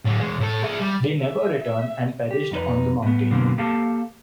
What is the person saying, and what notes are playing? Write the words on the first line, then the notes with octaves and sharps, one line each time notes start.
They never returned and perished on the mountain.
A2 D3
E2 G#3
A2 A4
G#4 E5
G3
E5
E5
G4
F2 D#4 B4
A2 B3
F#2 B2 D3 A#3 C4
A#3 G4 A4 F5 A5